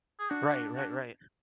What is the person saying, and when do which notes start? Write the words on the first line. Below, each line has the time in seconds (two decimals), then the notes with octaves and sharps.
Right. Right, right.
0.19 G#4
0.30 D4 F#4
0.76 F#4